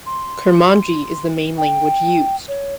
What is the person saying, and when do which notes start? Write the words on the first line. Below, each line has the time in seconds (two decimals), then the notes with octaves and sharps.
Kurmanji is the main language used.
0.06 C6
1.57 G5
2.48 C#5